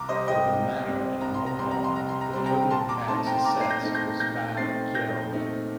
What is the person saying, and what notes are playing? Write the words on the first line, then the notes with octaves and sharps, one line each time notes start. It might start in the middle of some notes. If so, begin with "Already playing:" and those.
For the manor at Morborne the total tax assessed was five geld.
Already playing: C2 A#5 D6
C3 G3 C4 C5 D#5
D#5 G5
C2
C3 G3 C4
C2 A#5
C6
A#5
C3 G3 C4 C6
A#5
C6
C2 A#5
C6
A#5
C3 G3 C4 C6
G5 A#5
A#2 A5 C6
A#5 D6
A3 C4 D#4 A5 C6
G5 A#5
C6
A#2 A#5 D6
C7
G6 A#6
A3 C4 D#4
G6 A#6
A#2 G6 A#6
A3 C4 D#4 A6 C7
A#2 G6 A#6
A3 C4 D#4